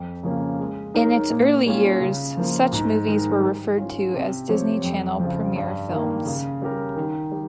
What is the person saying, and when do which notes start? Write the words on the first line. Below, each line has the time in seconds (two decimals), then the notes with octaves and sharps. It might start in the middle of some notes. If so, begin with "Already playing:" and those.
In its early years, such movies were referred to as Disney Channel Premiere Films.
Already playing: F2
0.23 C#3 F3 A#3 C#4
0.60 G#3
0.94 D#4 A#4 C#5
1.30 A#2
1.66 G3 C#4 F4
2.01 C#3
2.37 F3 A#3 F4
2.72 G#2
3.07 D#3 G#3 D#4 A#4
3.43 G3
3.78 C#4 F4
4.14 C3
4.49 F3 C4 G4 C#5
4.84 F2
5.19 C#3 F3
5.56 G2
5.90 D#3 A#3
6.25 C#3
6.62 G3 C#4 G4 A#4
6.96 D#3
7.32 G3